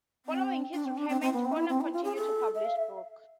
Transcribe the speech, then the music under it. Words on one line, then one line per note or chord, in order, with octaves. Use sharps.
Following his retirement, Foner continued to publish books.
C4
D4
C4
D4
C4
C4
B3
C4
D4
E4
C4
E4
F4
G#4
A4
E5
F5
E5